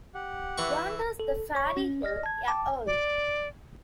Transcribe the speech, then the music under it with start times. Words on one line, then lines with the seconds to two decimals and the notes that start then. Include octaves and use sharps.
Yonder's the Fairy Hill a' alowe.
0.14 G4 F#5
0.58 E3 E5 C#6
1.20 A4
1.55 C#5 C#6
1.77 C#4
2.02 D5 D#5 F6 A#6
2.23 A5 G#6
2.48 G5 A5 D6
2.87 D5